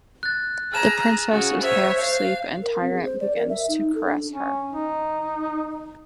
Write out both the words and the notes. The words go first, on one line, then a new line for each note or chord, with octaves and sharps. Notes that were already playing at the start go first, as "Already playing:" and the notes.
The princess is half sleep and Tirant begins to caress her.
F#6 A6
G#4 A#5 F6 E7
C#3 F#4
C5 C#5 E5
F5
A#4
C4
G#4
C5
D5
A#4
E5
D#4
A4
D4
C#4
D#4